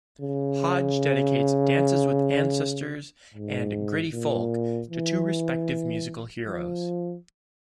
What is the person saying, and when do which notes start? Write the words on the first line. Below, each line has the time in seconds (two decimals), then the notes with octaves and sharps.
Hodge dedicates "Dances with Ancestors" and "Gritty Folk" to two respective musical heroes.
0.22 C#3
3.34 G#2
4.12 A#2
4.90 E3
6.46 F3